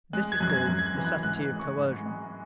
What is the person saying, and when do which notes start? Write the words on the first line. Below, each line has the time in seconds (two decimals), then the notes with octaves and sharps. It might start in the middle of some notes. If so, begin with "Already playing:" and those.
This is called "necessity of coercion."
0.13 G#3 F#6
0.32 G#6
0.40 F#2 F#6
0.49 G#6
0.67 F#2 F#6
0.79 G#6
0.86 F#6
0.95 E3
1.05 F#6
1.23 G#2 F#6
1.41 F#6
1.50 G#3
1.59 C#6
1.78 G#2
2.06 G#3